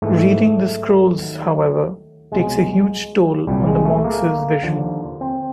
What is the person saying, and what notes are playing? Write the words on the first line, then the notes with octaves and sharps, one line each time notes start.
Reading the Scrolls, however, takes a huge toll on the monks' vision.
G#2 E3 A3
D#2 D#3 F#3
C2 B2 F#3 G#3
C2 A#2 F#3 G3
G#3
A3
A#3
D#2 D3 F3
C4